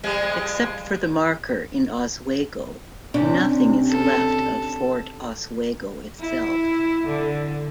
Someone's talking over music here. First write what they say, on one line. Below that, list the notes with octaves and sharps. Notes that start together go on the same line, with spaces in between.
Except for the marker in Oswego, nothing is left of Fort Oswego itself.
F3 G3 G#3
C3 C#4 D4
A4
E4
D3